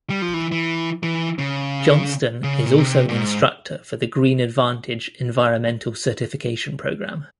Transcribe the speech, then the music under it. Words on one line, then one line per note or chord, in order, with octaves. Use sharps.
Johnston is also an instructor for the Green Advantage Environmental Certification Program.
G3
F3
E3
E3
E3
C#3
C#3
A#2
C3
A#2
G#2